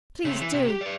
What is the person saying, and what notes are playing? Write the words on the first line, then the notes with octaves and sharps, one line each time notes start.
Please do.
C#3 C4
E3
C3
G4
B4 D5